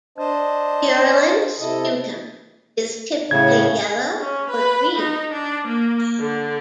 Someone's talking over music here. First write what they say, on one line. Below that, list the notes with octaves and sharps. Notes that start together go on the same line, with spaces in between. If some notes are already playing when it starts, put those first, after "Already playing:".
Purulent sputum is typically yellow or green.
D4 C5 D#5 A5
C3 E4 A4 D#5
A2 C#3 G#6
C#4
B4
D#4
D4
A#3
D3